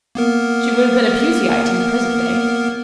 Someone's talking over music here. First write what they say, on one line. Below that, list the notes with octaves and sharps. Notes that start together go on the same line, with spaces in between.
She would have been a Puseyite in the present day.
A#3 B3 A#4